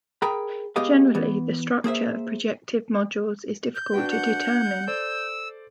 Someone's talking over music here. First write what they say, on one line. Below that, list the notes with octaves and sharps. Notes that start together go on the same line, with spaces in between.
Generally, the structure of projective modules is difficult to determine.
G#4 A#4 G5 A#5 B5
G#3 B3 G4 G#4 D#5 F5
E3 B3
A#3 G#4 C5 E5
G6
D4 F#4 B4 G5
F#5
A4 C5 D5 E6